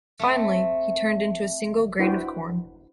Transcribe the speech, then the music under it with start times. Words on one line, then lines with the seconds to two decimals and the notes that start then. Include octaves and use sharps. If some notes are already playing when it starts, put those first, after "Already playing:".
Finally, he turned into a single grain of corn.
0.19 A3 C4
1.99 D4 E4 F#4 B4 C5 G5